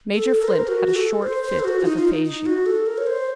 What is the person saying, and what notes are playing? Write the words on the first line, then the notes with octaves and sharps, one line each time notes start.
Major Flint had a short fit of aphasia.
A4
A#4
C5
A#4
F#4
F#4
A4
C5
C5
A4
F#4
F4
D#4
F4
D#4
D#4
F#4
A4
A#4
C#5
C5